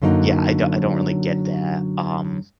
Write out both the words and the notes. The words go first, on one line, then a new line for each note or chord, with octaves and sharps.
Yeah, I don't I don't really get that, um
F#2 D3 F#3 A#3 D#4